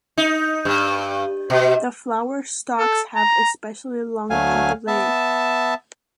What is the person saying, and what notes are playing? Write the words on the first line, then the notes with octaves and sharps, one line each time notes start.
The flower stalks have especially long papillae.
D#4
G2
B2
A4
A#5
D2 F#3 A3 F5 G#5
B3 E5 A5